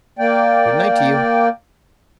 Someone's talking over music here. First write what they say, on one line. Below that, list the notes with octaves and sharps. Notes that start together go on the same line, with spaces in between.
"Good-night to you."
A#3 D5 G5